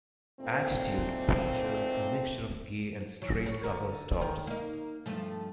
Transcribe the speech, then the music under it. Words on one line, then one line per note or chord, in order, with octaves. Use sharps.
Attitude features a mixture of gay and straight cover stars.
D#2 A#2 A3 C4
E2 F#3
A2 C#5
D3 F#4 A#4
D#3 A#4
A#3 D#4
G2 F3 A3